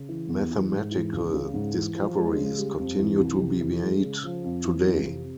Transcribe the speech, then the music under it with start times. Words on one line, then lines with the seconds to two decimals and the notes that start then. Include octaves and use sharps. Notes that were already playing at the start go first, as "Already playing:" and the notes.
Mathematical discoveries continue to be made today.
Already playing: C#3
0.09 E3
0.29 E2
0.50 E3
0.71 G#2
0.91 E3
1.12 C#2
1.33 C#3
1.54 G#2
1.74 E3
1.95 F3
2.16 G#3
2.36 C#3
2.57 G3
2.78 F2
2.99 E3
3.19 C2
3.40 C3
3.61 E3
3.82 G#3
4.03 C#3
4.24 F3
4.44 F2
4.65 E3
4.85 F2
5.06 C3